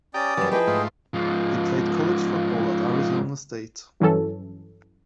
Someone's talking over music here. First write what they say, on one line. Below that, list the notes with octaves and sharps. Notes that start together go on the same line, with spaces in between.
He played college football at Arizona State.
C#4 G4 D5 G5 A#5 D#6
F#2 E3 F#3 G3 G4
F3 E4 G#4 B4 D#5 G5
G#2 A3 F4
G#2 F3
G2 E3 F#3 C#4 A4